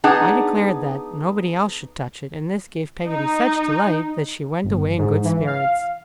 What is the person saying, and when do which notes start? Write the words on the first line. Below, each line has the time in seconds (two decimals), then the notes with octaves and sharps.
I declared that nobody else should touch it; and this gave Peggotty such delight that she went away in good spirits.
0.04 B3 D4 D#4 G#4 F#5 A5
3.06 D#4
4.63 G1
4.97 G#2
5.24 E3
5.45 F5